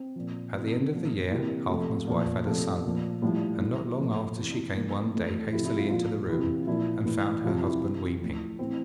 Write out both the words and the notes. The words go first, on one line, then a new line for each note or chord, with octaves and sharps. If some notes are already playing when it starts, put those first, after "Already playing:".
At the end of the year Halfman's wife had a son, and not long after she came one day hastily into the room, and found her husband weeping.
Already playing: C4
A#2 F3
C3 E3 C4
A#2 F3
C3 E3 A#3
C3 F3 A3
A#2 F3
C3 F3 A3
A#2 F3
A2 F3 G3
A2 E3
A#2 F3 A3
C3 E3
C3 F3 A#3
C4
A2 E3 A3
A3
C3 F3 E4
E4
F4
A#2 F3 F4
C3 E3
A#2 F3 E4
A2 E3
C3 F3 F4
E4
C3 E3
A2 F3
A2 E3 C4